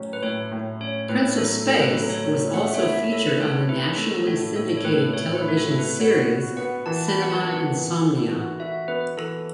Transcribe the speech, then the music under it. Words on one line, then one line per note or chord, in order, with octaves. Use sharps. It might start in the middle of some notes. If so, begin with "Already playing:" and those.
"Prince of Space" was also featured on the nationally syndicated television series "Cinema Insomnia".
Already playing: A2 F#3 C#4
B4
A2 C#5
A2
C#4 C#5
A2 B4
F#3 A4
A2 A4
B4
F#3 A4
C#5
C#4
A3 F#5
E5
C#5
E4 E5
E4 A4
B4
A3 C#5
E4 B4
A3 A4
A4
A2 F#4
A2 A4
C#5
A2 B4
A2 C#5
B4
E4
F#4
A4
E4
B4
F#4 C#5
F#4
B3 F#5
E3 A5
B5
F#4
F#5
A5
B3
F#5
E3
A4
F#4
F#4 E5
B3 B4
E3 A4